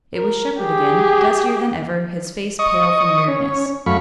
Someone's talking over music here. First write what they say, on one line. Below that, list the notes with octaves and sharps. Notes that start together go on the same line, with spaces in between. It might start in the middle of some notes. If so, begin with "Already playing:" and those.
It was Shepard again, dustier than ever, his face pale from weariness.
A#4
G4 G#4
D#5 C#6 D#6
C#4 C#5
F#2 F#3 A3 F5 B5 C#6